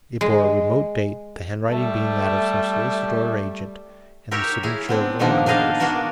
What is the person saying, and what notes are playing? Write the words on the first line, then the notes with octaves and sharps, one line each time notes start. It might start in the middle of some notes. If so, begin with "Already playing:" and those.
It bore a remote date, the handwriting being that of some solicitor or agent, and the signature the landholder's.
G#3
G3 A3
G4 A#4 C#5 E5 G5
E4 G#4
B3 C4 D4
A#2 D#3 F3 A#3 B3 D4
D4 D#4 G#4 D#5 F5 A5
A#3 B3 D4 F#4 A#4